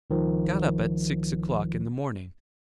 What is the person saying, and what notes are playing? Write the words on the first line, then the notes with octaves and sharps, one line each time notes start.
I got up at six o'clock in the morning.
C#2 D#3 F3